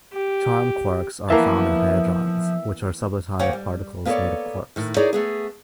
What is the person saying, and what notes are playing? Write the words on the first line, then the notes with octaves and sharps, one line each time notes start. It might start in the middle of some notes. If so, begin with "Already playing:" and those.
Charm quarks are found in hadrons, which are subatomic particles made of quarks.
G4
E3 F3 A#3 B3 E5 A5
D2 A#3 C#5 F#5 G5
G3
A#3 B3 G#4 A4 C#5 D5
A2 D#3
D#4 E4 G#4 A#4 C#5 D5
A3 B3 G#4